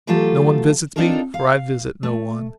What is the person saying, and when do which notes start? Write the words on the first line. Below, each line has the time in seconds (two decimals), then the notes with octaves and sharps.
No one visits me, for I visit no one.
0.07 E3 F#3 A3 F4 G4 A4
0.96 C4 D4 D#4 F4 A4 A#4
1.34 F5
2.03 A3